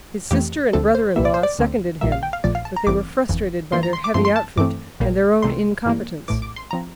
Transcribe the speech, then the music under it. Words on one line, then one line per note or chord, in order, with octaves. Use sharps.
His sister and brother-in-law seconded him; but they were frustrated by their heavy outfit and their own incompetence.
F2 E3 A3 C4 G4
D2 D3 A3 C4 A4
C5
C2 A#2 G3 A#3 E5
D5
C5
D5
D2 D3 A3 C4
A#1 A#2 G3 A#3 E5
F5
G5
F5
A#1 A#2 F3 A3 D5
F5
A5
A#5
A1 G2 E3 A3 C4 D6
G1 F2 E3
G2 E3 G3 A#3 C6
A#5
C6
D6
G2 F3 A3 C4 C6
C6
A5
G2 E3 A3 C4 D6
A#1 A#2 G3 A#3
C2 C3 E3 A3 C6
G2 E3 G3 A#3
A#1 A2 E3 D6
D6
C6
F3 C4 A#5